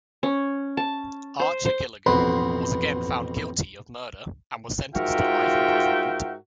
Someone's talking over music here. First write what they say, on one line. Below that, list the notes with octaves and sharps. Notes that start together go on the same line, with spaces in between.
Archer-Gilligan was again found guilty of murder and was sentenced to life imprisonment.
C#4
A5
C5
C5
A1 F2 B2 F#5 B5 C6
G#2 F4 F#4 A#4 E5 G5